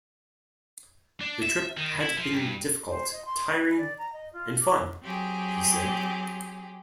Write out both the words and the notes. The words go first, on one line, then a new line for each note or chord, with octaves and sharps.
"The trip had been difficult, tiring and fun," he said.
D4
E5
D#3
E4
F3
G2
C5
D#5
C6
B4
D5
A#5
D#5
F4
D6
F#3 C4 G4 G#4